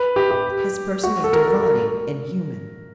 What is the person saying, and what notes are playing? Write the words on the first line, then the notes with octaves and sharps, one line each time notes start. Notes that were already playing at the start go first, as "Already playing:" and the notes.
His person is divine and human.
Already playing: B4
G4
G4
F#4
A4
A#4
A#4
A#4